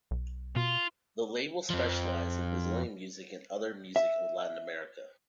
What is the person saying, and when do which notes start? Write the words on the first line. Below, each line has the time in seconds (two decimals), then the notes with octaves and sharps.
The label specialized in Brazilian music and other music of Latin America.
0.11 B1
0.56 B2 F4
1.70 F2 F3
3.96 E5